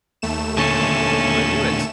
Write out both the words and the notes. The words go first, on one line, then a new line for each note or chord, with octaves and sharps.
I knew it!
D#2 A3 E7
A#2 D3 C#4 A5